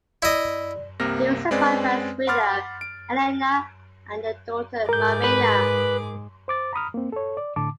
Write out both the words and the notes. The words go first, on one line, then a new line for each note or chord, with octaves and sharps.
He was survived by his widow Elena and their daughter Marina.
E4 D5 D#5
C2 C3 A#3 F6 A#6
G#3 C4 C#4 B4 D5 G#5
F#5 B5 C6 D6 F6 A6
D7
G#2 G#4 A#4 D6 G6
B4
C5 D6 A6
A#5 B5 D#6 F6
A#3 C4
A4 C#5
D5
A2 D3 A5 D6